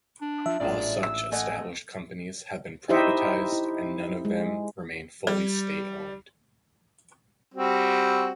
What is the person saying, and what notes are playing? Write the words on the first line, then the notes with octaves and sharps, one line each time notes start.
All such established companies have been privatised and none of them remain fully state-owned.
D4
F3 E5
A1 A#2 G#3 D4 D5
E6
A3 D#5 F#5 G#5
D#4 E4 G4 C5 D#5 E5
E4
G#3
G3
G3 C4 F#4